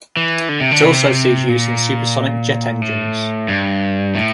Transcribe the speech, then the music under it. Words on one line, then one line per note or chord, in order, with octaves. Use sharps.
It also sees use in supersonic jet engines.
E3
D3
C3
D3
C3
A#2
A2
G2
A2